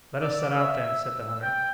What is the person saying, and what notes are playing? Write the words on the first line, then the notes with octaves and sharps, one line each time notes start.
"Let us set out, then!" said the hunter.
D5 E6
E6
D6
E6
E5
G5 G6